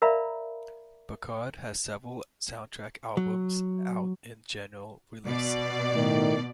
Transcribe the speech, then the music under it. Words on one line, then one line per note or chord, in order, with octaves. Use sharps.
Burkhard has several soundtrack albums out in general release.
A#4 D5 E5 F5 A#5 B5
F#3
B2 D5
A2 D#3